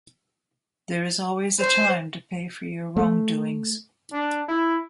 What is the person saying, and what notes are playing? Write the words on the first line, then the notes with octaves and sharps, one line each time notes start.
There is always a time to pay for your wrongdoings.
C5
A3
D4
E4